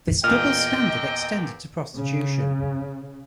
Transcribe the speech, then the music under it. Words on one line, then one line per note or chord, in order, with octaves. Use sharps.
This double standard extended to prostitution.
E2 A#2 D#5 G5 F6
C#3